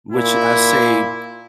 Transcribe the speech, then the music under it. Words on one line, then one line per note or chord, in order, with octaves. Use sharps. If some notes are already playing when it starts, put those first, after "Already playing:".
which I say
A#2 E4